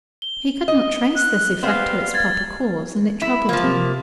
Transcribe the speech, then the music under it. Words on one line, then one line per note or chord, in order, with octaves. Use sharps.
He could not trace this effect to its proper cause and it troubled him.
G7
D#5
F#6
G3 B3 C4 F5
G#6 A6
E4 B5
F3 A#3
C3